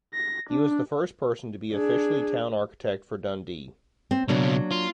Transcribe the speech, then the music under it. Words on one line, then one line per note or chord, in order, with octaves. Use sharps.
He was the first person to be officially Town Architect for Dundee.
A#6
D4
D4 G#4
C4
C#2 B2 F#3 A#3 D4
F4